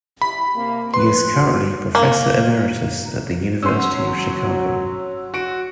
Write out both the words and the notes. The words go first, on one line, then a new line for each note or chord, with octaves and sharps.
He is currently professor emeritus at the University of Chicago.
G3 E4 G4 B5
C3 A#3
F3 B4 C6
F#4
A#3
F#3 C#4 C6 E6
F#4 D7